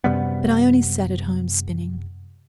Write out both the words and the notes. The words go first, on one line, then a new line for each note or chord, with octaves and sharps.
But Ione sat at home spinning.
F#2 C3 G3 B3